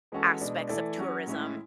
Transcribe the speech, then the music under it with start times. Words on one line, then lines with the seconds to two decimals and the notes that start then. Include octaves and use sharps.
aspects of tourism,
0.12 E3 G#3 C#4 F#4 A4
0.41 B2 G#3 D4
0.69 E3 A3 E4 A4 D5
0.98 F#3 C#4 F#4
1.26 A2 G#3 C#4 E4